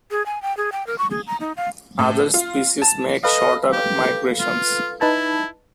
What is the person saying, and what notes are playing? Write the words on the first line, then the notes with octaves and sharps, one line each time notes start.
Other species make shorter migrations.
G#4
G#5
G5
G#4
G5
A#4
C#6
G#4
A#5
D#4
F5
A2
F4
A5
A4 B4 D#5 F5
G4
F4
D#4 E4 B4 A5